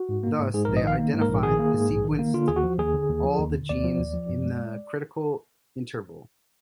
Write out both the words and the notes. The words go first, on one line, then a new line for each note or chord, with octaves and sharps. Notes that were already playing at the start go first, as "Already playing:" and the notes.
Thus, they identified and sequenced all the genes in the critical interval.
Already playing: F#4
G#2
A#3
G#2
G#2 G#4
A#4
A#1
D#5
D#3 F5
A#3
G#2
A#4
A#1
D#3 G#4
A#3
G#2
A#1
D#3
A#3
D3 F4
D#2 G#4
F#4
F3
D#2 G#4
D3
D#2
F3
D#2
D3
D#2 D5
F3
D#2
F3
F#2
G#3